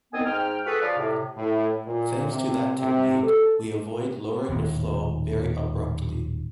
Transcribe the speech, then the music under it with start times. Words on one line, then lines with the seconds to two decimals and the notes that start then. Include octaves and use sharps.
Thanks to that technique, we avoid lowering the flow very abruptly.
0.13 C2 D#3 B3 C4 G#5 D#6
0.25 G#2 G5 F6
0.66 F#4 G#4 A4 B4
0.82 C#3 F3 D5 F5
0.98 A2 C3
1.36 A2
1.86 A#2
2.32 C3
2.79 C3
3.23 A4
4.49 D#1 D#2 A2